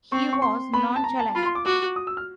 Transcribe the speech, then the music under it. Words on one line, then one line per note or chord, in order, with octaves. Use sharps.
He was nonchalant.
C4 C#6
C#6
C6
B3 B5
A5
A#5
A5
F4 B5
C6
D6
F#4 D6
D#6
E6
F6